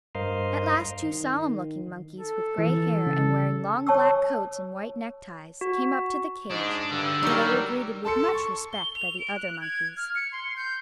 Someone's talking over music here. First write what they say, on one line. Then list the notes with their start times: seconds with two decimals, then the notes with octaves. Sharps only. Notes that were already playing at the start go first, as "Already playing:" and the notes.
At last two solemn-looking monkeys with gray hair, and wearing long black coats and white neckties, came up to the cage, where they were greeted with much respect by the other monkeys.
0.15 G2 A#4 C5 D#5 F5
1.02 D#3
2.20 A4
2.58 E3
3.07 C#3
3.87 C#5 A5 C#6 E6
5.61 F#4
6.51 G#2 D4 D#5
6.92 G2 D3 E6
7.23 F#3 G3 D#4 A#4
8.05 A4 A5 C6 C#7
8.34 C#6
8.73 G7
8.95 F7
9.20 D7
9.36 F#6
9.61 G#6
9.97 F6
10.15 C#7
10.32 C6
10.56 G6